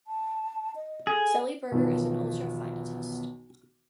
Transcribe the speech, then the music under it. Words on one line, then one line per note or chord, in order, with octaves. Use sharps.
Zeilberger is an ultrafinitist.
A5
D#5
G#4 A4
B1 E2 D#3 F3 B3